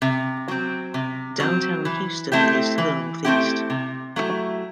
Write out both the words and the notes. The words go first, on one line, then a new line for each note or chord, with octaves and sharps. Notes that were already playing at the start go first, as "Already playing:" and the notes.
Downtown Houston is to the northeast.
C3
F#3 C4
C3
F#3 C4
E3
A3 C4 E4 G4
E3
A3 C4 E4 G4
C3
F#3 A3 E4 G4